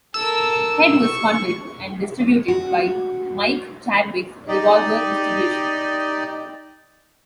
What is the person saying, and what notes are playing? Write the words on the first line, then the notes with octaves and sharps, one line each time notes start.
Head was funded and distributed by Mike Chadwick's Revolver Distribution.
A4 A#4 E6
C#6
F#4
D#4 G4 D5 D#5